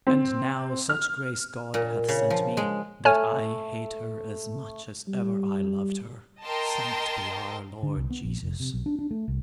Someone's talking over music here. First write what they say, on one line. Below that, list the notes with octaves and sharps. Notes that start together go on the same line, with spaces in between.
And now such grace God hath sent me, that I hate her as much as ever I loved her, thanked be our Lord Jesus!
C4
F6
A#2
C#3
F3
G#3
A3 C#5 G#5 F6
G3
A#4 D#5 G5 A5 C6
D3
C2
B3
A#1
F1
C3
B1
D4
D4
A3
C2